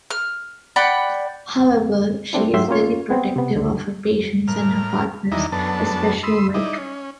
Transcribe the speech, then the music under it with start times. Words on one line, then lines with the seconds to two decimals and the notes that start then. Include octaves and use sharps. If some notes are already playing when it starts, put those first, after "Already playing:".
However, she is very protective of her patients and her partners, especially Mike.
0.11 F6
0.76 D5 F#5 G5 B5
2.33 G3 A3 C4 D4 E4
2.53 G#2 F#3 G4 E5 C6
2.68 A#3 C#4 F4 C#5
3.10 B3 C4
3.36 C3 B3
3.55 C#2 D3
4.48 A2 A#4 F6
5.32 E2 D#3 D4 E4 D#5 A#5
5.52 F#2 B3 D4 A4 A5
6.23 B5 C6 D#6 E6
6.54 D#4 E4 D5 D#5
6.78 C#4